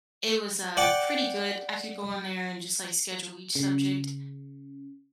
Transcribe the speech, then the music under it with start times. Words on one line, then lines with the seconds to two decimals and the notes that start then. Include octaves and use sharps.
it was, uh, pretty good. I could go on there and just like schedule each subject,
0.77 D5 F#5 G5 D6
3.55 C#3